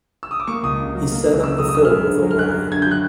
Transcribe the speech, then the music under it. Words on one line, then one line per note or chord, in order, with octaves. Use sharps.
He set up the film with Orion.
E6
D#6
D6
A#3 C#6
C#2 D#6
C#3
F#3
A#3
C#2
C#3 E6
F#3 D#6
D#6
F#2 E6
F6
F#2
D3
F#3
F6
F#2 F#6
F#2
D3 G#6
F#3 G6
F#6